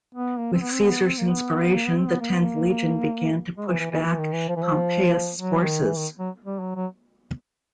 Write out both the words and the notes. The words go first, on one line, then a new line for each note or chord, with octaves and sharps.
With Caesar's inspiration the tenth legion began to push back Pompeius' forces.
B3
A#3
C4
B3
C4
B3
C4
A#3
B3
A#3
B3
C4
B3
A#3
B3
A#3
G#3
E3
E3
E3
E3
D#3
E3
F3
E3
F3
F#3
D#3
E3
D#3
F#3
G3
F#3
F#3